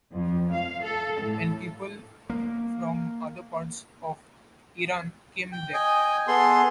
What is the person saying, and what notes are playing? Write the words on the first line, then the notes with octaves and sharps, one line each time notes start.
And people from other parts of Iran came there.
F2
F5
A4
A2
A#3
G5
D#5 G5 G#5
B3 G#4 A4 C6